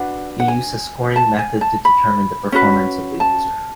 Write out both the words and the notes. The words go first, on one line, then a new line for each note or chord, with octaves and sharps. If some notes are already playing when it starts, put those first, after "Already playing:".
It used a scoring method to determine the performance of the user.
Already playing: D4 F#4 B4 F#5
F#5
G#5
A5
G#5
A5
B5
C#4 F#4 B4
A5